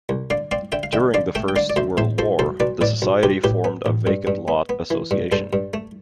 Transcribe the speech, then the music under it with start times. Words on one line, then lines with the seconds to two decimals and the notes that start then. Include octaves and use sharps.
During the First World War the Society formed a Vacant Lot Association.
0.09 C2
0.30 D3 D5 F5
0.51 C4 D5 F5
0.72 D3 E5 G5
0.83 F5
0.93 D3 E5 G5
1.14 D3 D5 F5
1.35 A3 E5 G5
1.48 G5
1.56 D3 D5 F5
1.70 D5
1.76 D2 C5 E5
1.97 A2 C5 E5
2.18 F3 A4 C5
2.39 B1 A4 C5
2.60 B1 B4 D5
2.81 A2 B4 D5
3.02 B1
3.23 B1 G4 B4
3.44 A2 G4 B4
3.64 B3
3.86 A1
4.07 G2
4.27 G2
4.48 B3
4.69 B3
4.91 E3
5.11 G2
5.32 G2 A4 C5
5.53 G2
5.74 A3